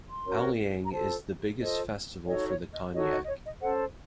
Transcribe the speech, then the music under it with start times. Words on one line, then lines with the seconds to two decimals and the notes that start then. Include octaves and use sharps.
Aoleang is the biggest festival for the Konyak.
0.08 C6
0.25 C#4 F#4 A#4 C#5
0.84 A#5
0.92 F4 A4 C5 A5
1.59 F4 A4 C5 D#5
2.26 D#4 F#4 A4 C#5 D#5
2.49 C#5
2.72 D#5
2.94 D#4 F#4 A4 C#5 D#5
3.11 D#5
3.23 D#5
3.27 C#5
3.44 D#5
3.61 C#4 A4 C5 F#5